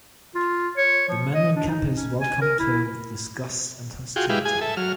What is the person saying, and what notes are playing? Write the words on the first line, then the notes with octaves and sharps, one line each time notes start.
The men on campus welcomed her with disgust and hostility.
F4
C#5
F3
D#5
D4
D#4
C#4
G#5
A#4
E4
F4 F#4 G#4 G5
G#3 E4 G4 B4 F5
G#4 G#5
A4 E5
F#3 F6